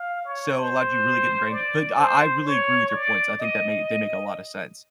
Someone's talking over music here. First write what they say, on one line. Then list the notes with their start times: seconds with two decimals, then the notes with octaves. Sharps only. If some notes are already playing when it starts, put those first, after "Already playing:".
so it allowed you really get ingrained, but I I really agree with your points, I think that may they make a lot of sense.
Already playing: F5
0.25 C#5
0.56 C5
1.50 D5
1.98 C5
2.46 C#5
2.93 D5
3.40 D#5